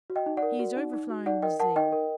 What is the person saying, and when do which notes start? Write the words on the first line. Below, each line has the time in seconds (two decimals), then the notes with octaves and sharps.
He is overflowing with zeal.
0.10 F#4
0.16 D#5 G5
0.26 D#4
0.37 D5 F#5
0.43 A#4
0.59 F#4
0.77 D#4
0.93 D#4
1.10 F#4
1.26 D#4 D5 F#5
1.42 A#4 D#5 G5
1.60 A#4 F#5 A5
1.76 D#4 D#5 G5
1.92 A#4